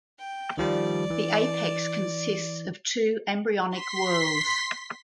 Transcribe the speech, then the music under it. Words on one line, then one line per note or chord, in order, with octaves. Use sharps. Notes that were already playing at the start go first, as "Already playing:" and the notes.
The apex consists of two embryonic whorls.
G5
D#3 F3 G3 D5
E3
C6 B6